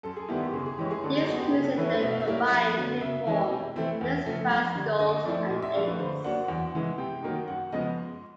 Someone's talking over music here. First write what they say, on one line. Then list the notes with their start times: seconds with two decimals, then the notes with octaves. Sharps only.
These crews then combined to form Mixed Quad Sculls and Eights.
0.03 F#2 A4
0.16 G#4
0.28 D#3 G3 B3 E4 G4
0.41 G4
0.53 C#3 G#4
0.66 G#4
0.78 E3 G#3 C#4 E4 G4
0.91 G#4
1.03 D3 A4
1.15 G#4
1.28 F#3 B3 G#4
1.40 G4
1.52 C#3 G#4
1.65 A4
1.78 E3 A3 C#4 E4 B4
1.90 C5
2.02 B2 E5
2.12 F5
2.20 E5
2.27 G3 A#3 C#4 E4
2.51 F2
2.77 D3 F#3 B3
3.01 C#3 E5
3.27 E3 G#3 C#4
3.51 C3
3.76 E3 A3 C4 E4
4.01 E2
4.25 C#3 F3 A3
4.50 F2
4.75 D3 G3
4.99 D3 D#5
5.24 F3 A3 C4 E4 D5
5.49 A#2 D#5
5.62 E5
5.74 F3 A3 D4 F5
5.87 B4
5.99 D3 C5
6.24 F#3 A#3 D4 F#5
6.48 E2
6.74 C#3 E3 G#3
6.98 C3 G5
7.23 D#3 F#3 A#3 D#4
7.47 F#2 F#5
7.72 C#3 F3 G#3 B3 D#5